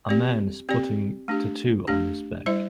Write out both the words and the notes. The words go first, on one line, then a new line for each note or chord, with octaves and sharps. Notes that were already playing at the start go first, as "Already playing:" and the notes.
A man is putting tattoo on his back.
C4 G4 D5
C4 G4 D5
A3 D4 G4
A3 D4 G4
G3 E4 C5 E5